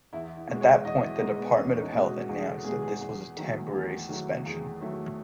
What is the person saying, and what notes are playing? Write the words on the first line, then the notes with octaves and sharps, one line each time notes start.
At that point the Department of Health announced that this was a temporary suspension.
E2 E4
E4
B2 G#3
C#5
E2 D#5
E4
B2 G#3 D#4
B3
E2 C#4
D#4
B2 G#3
F#4
E2 G#4
A4
B2 G#3 G#4
G#4
E2
D#3 F#3 A3
E2
D#3 F#3 A3
E2 G#4
D#3 F#3 A3